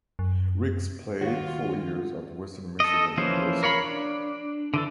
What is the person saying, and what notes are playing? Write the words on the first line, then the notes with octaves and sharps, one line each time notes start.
Ricks played four years at Western Michigan University.
F#2
D#2 F4 F#4 C#5 F5
A4 D#5
E3 F3 A#3 C#4 C5
A#4 C#5 F5 B5
D4
D3 E3 A4